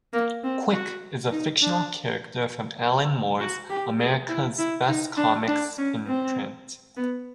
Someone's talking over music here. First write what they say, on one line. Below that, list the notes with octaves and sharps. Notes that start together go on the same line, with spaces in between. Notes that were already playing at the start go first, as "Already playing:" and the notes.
Quick is a fictional character from Alan Moore's America's Best Comics imprint.
A#3
C4
F#4
D#4
D4
F#4
G4
G#4
E4
E4
D#4
D4
D4
C#4
C4
B3